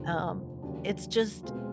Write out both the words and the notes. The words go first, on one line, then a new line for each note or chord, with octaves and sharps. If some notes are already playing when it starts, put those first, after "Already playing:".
um, it's just
Already playing: F1 D#2 D3 F3
D#2 C#3 F#3 A#3 D4
B2 G#3 C4 F4